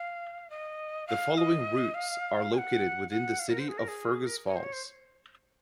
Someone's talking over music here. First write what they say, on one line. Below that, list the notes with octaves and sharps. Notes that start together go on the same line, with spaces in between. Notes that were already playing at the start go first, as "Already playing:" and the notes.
The following routes are located within the city of Fergus Falls.
Already playing: F5
D#5
F5
D#5
F5
G#5
F#5
F#5
F5
A#4
C5
G#4
A#4
G#4
A#4
C#5
C5
C#5
C5